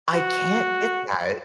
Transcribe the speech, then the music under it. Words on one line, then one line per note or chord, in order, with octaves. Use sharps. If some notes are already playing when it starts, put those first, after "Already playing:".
I can't get that.
F#4